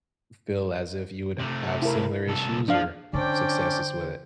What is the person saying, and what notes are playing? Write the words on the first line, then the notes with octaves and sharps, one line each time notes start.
f feel as if you would have similar issues or successes with it.
C3 A3
E4 A#4
C2 A4
F3 D4 F5
D3 C#4 D4 C5 D5 G5